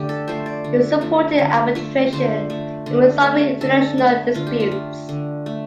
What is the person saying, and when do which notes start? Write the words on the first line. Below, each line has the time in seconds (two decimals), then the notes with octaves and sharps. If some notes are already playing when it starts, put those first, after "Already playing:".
He supported arbitration in resolving international disputes.
Already playing: D3 A3 G4 D5
0.09 A4
0.28 F3 A3 C5
0.46 D5
0.64 D3
1.01 F3 A3
1.39 D3
1.75 F3 A3
2.13 D3 C5
2.50 A3
2.86 D3
3.23 A3
3.61 D3 A4
3.98 A3
4.34 D3 F4
4.47 G4
4.60 F4
4.71 A3
5.09 D3
5.46 A3